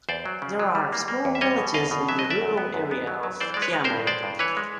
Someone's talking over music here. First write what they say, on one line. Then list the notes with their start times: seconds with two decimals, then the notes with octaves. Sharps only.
There are small villages in the rural area of Kiamari.
0.09 E2 C5 D5
0.26 F#3
0.42 C#3
0.59 F#3
0.75 G3
0.93 A#3
1.08 A#3
1.25 E2
1.35 E5
1.41 G3 C#5 D#5
1.58 B2
1.74 E2 D#5 F5
1.91 B2
2.09 F#3 E5
2.19 D#5
2.24 F#3
2.30 D5 E5
2.42 F#2
2.58 B3
2.74 F#2
2.91 B3
3.07 F#3
3.23 F#3
3.40 E3 C5 D5
3.54 G#3 D5
3.62 B4 C#5
3.73 G#3
3.84 A#4 C5
3.90 G2
4.07 G#3 C5 D5
4.23 G2
4.39 E3 B4 C#5
4.57 G#3